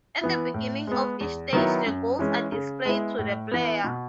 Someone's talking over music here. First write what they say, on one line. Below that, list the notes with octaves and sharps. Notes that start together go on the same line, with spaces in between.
At the beginning of each stage the goals are displayed to the player.
E3 B3 E4
A2
G#3 B3
E2
D#3 F#3 B3 E4
F#2
E3 G#3 C#4
C#3
G#3 B3 E4
A2
E3 B3
B2